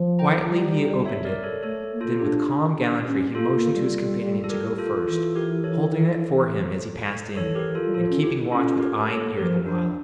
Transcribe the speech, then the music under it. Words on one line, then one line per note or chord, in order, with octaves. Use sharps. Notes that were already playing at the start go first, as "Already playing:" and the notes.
Quietly he opened it, then with calm gallantry he motioned to his companion to go first, holding it for him as he passed in, and keeping watch with eye and ear the while.
Already playing: F3
G5 A#5
G3
C#5 E5
A#4 D5
A4 C#5
A3 A4 C#5
A#3
F4 A4
D4 G4
D4
C#4
A#3 F4 A4
A#3
G3
A4
G4 A#4
F4 A4
E3 F4 A4
G4 A#4
A4 C#5
E3 A4 C#5
G4 A#4
F4 A4
G3
F3 F4 A4
C#4
E4 G4
E4
C#4 F4 A4
G4 A#4
A#3 A4 C#5
F3 G4 A#4
F3 D4